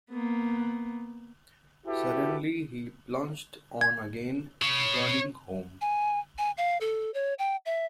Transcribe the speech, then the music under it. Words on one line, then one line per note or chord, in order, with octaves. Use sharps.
Suddenly he plunged on again, running home.
A#3 B3
E4 F#4 G4 A4 B4
G#6
C#5 B5
G#5
G#5
F5
A4
C#5
G5
E5